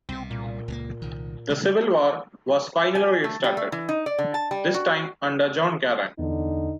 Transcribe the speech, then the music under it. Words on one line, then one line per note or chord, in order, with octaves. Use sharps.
The civil war was finally restarted, this time under John Garang.
C2 B2 C4
A#2
C#2 G#3 A#3
C2 D#3
C#3 G#3
G#5
A3
G3
A3
E3
D#4
D5
D3
A5
G3
F#4
E2 D3 D#4